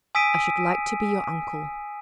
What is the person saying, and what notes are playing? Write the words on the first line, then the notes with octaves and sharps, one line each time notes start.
I should like to be your uncle.'
G#5 D#6 E6 B6 D7 D#7